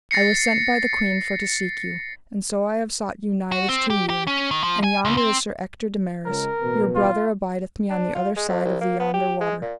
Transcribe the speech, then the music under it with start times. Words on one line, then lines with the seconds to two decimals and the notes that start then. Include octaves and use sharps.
I was sent by the queen for to seek you, and so I have sought you nigh this two year, and yonder is Sir Ector de Maris, your brother abideth me on the other side of the yonder water.
0.11 A6 A#6 C7 C#7
3.52 F#4
3.69 C4
3.90 G4
4.10 G4
4.27 C#4
4.51 D#3
4.63 F3
4.84 G#5
5.05 C#2
5.17 C4
6.26 C#2 A#4
6.61 A1 B2 B4
6.96 F4
7.90 D4
8.15 F4
8.37 G#3
8.49 F2
8.65 C2
8.81 A#3
9.00 B3
9.14 G4
9.41 G#3
9.62 A#2